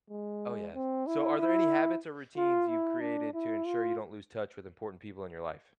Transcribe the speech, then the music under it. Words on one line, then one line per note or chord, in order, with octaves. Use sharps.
Oh, yeah. So are there any habits or routines you've created to ensure you don't lose touch with important people in your life?
G#3
C4
E4
E4
F4
E4
D4
E4
F4